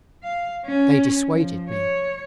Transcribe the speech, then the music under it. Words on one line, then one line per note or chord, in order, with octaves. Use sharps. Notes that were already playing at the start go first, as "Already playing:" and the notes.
They dissuaded me.
F5
C#4
F3
C#5